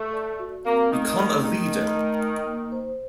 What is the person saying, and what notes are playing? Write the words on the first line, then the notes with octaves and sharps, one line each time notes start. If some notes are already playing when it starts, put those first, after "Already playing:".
Become a leader!
Already playing: A3 A4
D5
F#4
A#3 C4
D#3 A3
D#3 A3
D#3 A3
A3
A3
D#5
A#3
C5